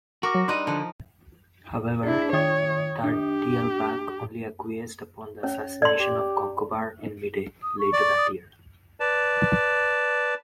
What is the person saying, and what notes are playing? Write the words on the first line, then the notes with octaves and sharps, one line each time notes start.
However, Tairrdelbach only acquiesced upon the assassination of Conchobar in Mide, later that year.
F#4 A#4 C#6 D6
F#3
G3 D4 D#4 C6 F#6 D#7
D3 F3
D4 E4 G#4
D#3 C#5 G5 D#6
D4 G4
C#4 C#5
A4 D5 C6
G4
D#6
C#6
D5
D#6
B4 D5 A5